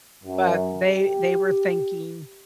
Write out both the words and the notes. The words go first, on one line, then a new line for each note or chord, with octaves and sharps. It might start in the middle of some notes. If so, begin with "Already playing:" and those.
But they they were thinking
F#2
G4